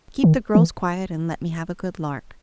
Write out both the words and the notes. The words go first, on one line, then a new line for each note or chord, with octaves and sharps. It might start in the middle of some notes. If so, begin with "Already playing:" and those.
Keep the girls quiet, and let me have a good lark.
D#3
E3